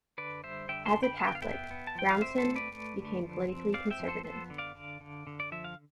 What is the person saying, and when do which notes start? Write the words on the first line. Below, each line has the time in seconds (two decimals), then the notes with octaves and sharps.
As a Catholic, Brownson became politically conservative.
0.18 D3 B4 D5
0.44 G3 C5 E5
0.69 D3 E5 G5
0.86 A5 C6
0.94 D3
1.03 G5 B5
1.20 B3 A5
1.27 G5
1.35 F5
1.42 B3 E5 G5
1.71 B3
1.87 A5
1.95 F3 G5
2.10 F5
2.21 C4 C5 E5
2.38 A4 C5
2.47 A3
2.56 B4 D5
2.72 A3
2.97 D3
3.23 F3
3.49 C4
3.74 C4 D5 F5
3.91 E5 G5
3.99 F3
4.08 A4 C5
4.24 B3 A4 C5
4.50 D3
4.58 D5 F5
4.75 D3
5.01 D3
5.27 D3
5.40 D5
5.52 F3 E5
5.64 F5